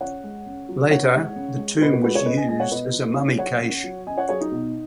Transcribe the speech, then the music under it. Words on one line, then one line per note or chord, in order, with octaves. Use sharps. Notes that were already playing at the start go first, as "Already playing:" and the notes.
Later the tomb was used as a mummy cache.
C#3 C#5 F#5
G#3
C#3
F#3
C#3 C#5 F#5
G#3
C#3
G#3
B2 B4 D#5
F#4 B4
G#3 F#4 B4
G#4 C#5
C#3 B4 D#5
D#5 G#5
G#3 D#5 G#5
C#5 F#5
B2 B4 D#5
F#3
C#3 G#4 C#5
F#3 C#5 F#5
C#3
F#3
C#3 D#5 G#5
C#5 F#5
F#3 G#4 C#5
D#4
B2